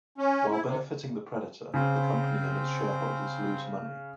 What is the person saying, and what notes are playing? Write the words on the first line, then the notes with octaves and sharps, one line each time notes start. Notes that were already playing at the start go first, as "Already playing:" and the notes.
While benefiting the predator, the company and its shareholders lose money.
C#4
E4
C3
C#3 C4 C5